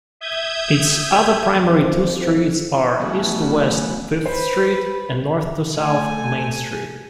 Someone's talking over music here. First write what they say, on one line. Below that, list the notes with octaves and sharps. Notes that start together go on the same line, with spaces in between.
Its other primary two streets are east-to-west Fifth Street and north-to-south Main Street.
E5 D#6 G6 G#6
F2 C5
A2 C#3 E3 F#3 B3 F#4
B4 C5
A3 G#5